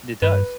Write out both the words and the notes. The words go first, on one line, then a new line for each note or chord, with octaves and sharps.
It does.
G2 B4